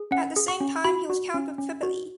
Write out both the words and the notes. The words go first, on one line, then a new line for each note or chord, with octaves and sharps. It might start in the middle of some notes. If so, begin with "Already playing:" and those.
At the same time he was Count of Tripoli.
Already playing: G#4
C#4 F#5
G#4
C#6
C#4
F#4 B5
F#4
C#4
C#4
F#4